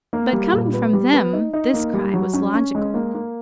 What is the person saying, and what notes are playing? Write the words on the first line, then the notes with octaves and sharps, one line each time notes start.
But coming from them, this cry was logical.
A#3
G3
A#2
B3
G3
B3
D#4
D#4
A#3
G3
F#3
C#4
C#4
G#3
A#3
A#3